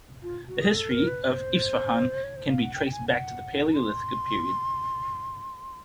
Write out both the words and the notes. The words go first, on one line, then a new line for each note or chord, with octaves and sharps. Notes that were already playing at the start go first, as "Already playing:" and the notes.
The history of Isfahan can be traced back to the Palaeolithic period.
F4
F#4
G#4
A4
A#4
B4
C5
C#5
C5
F5
F#5
G5
G5
G#5
F#5
C6